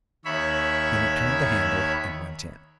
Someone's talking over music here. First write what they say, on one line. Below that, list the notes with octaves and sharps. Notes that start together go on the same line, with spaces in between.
Then it turned the handle, and went in.
D#2 C#5 E5 B5